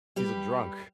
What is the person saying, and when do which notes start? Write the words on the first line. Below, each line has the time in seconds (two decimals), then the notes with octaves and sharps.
He's a drunk.
0.16 G3 G4 B4